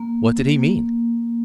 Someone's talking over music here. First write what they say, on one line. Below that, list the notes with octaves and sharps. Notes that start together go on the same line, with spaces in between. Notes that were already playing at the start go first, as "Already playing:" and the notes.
What did he mean?
Already playing: A#3
A#3